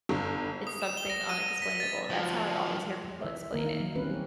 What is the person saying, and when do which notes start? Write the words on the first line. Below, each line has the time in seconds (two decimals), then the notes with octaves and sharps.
it's something unexplainable that's how I always hear people explain it.
0.09 G1
0.67 D#6
0.82 E7
0.97 G7
1.10 A#6
1.29 D#7
1.62 B6
1.80 A6
2.10 F3 F#3
3.21 E3 E5
3.53 D#3 A#3 A#4
3.65 D#4 F5
3.80 F#3
3.95 G3 C4 C#4 B4
4.10 G4 C#5